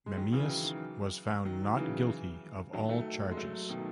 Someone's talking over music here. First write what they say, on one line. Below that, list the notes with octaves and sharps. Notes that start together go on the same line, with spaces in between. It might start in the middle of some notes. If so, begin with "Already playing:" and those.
Memmius was found not guilty of all charges.
G#3
D#3 F#3
C#3 E3
D#3 F#3
D#3 F#3
C#3 E3
D#3 F#3
F#3 A3
G#3
F#3 A3
B2 D#3